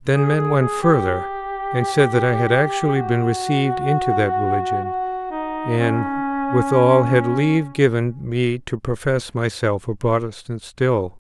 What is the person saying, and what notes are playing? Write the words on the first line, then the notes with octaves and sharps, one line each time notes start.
Then men went further, and said that I had actually been received into that religion, and withal had leave given me to profess myself a Protestant still.
G#4
G#4
G#4
G4
F#4
F#4
D#4
C#4